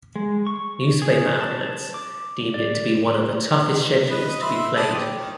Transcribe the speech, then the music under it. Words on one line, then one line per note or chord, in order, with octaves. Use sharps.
Newspaper outlets deemed it to be one of the toughest schedules to be played.
G#3
C#6
G#4
A5
D6
D5
B4 D#5
E5 B5 C6
D5 A5 D#6
G4
D#3